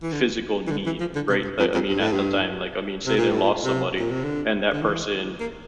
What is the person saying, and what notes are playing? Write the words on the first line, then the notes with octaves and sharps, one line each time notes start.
physical need, right? I I mean, at the time, like, I mean, say they lost somebody and that person,
E3
D3
E3
D3
E3
F3
D3
C3
G2
F2
F2
G2
A2
G2
C3
A#2
A2
A#2
C3
A#2
C3
D3
D3
E3
A#3